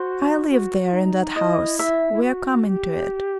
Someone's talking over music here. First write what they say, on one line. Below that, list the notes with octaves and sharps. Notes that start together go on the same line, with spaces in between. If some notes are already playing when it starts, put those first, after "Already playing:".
I live there in that house, we are coming to it.
Already playing: F#4 C5
F#4
D#4
E4 D#5
E5
E4
F#4
G4